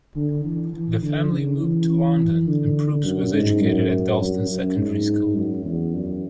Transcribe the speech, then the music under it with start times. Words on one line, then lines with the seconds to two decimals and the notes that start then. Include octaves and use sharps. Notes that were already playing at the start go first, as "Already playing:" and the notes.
The family moved to London and Proops was educated at Dalston Secondary School.
0.15 D3
0.44 E3
0.73 E3
1.02 D3
1.31 C#3
1.61 E3
2.47 D3
3.05 F#2
3.33 G#2
3.62 F#2
4.21 F#2
4.49 F#2
4.78 G#2
5.35 F#2
5.65 E2
5.94 F#2